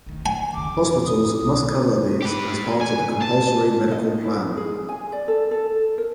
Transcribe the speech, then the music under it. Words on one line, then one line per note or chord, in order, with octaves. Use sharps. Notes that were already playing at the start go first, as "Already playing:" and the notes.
Hospitals must cover these as part of the Compulsory Medical Plan.
D2 D#3
G#5
F2 C#3 D6
D#6
B1
G4 B4
G#5
A5
D#5
E4
G#4
G#5
D5
A4
A4
A#4